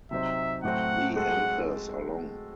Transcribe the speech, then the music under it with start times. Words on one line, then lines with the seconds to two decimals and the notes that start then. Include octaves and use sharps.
The anthers are long.
0.11 C3 F#3 C4 D#4 E5
0.63 A2 F#3 A3 C4 F#4 F#5
1.16 G#3 C4 F#4 A4 F#5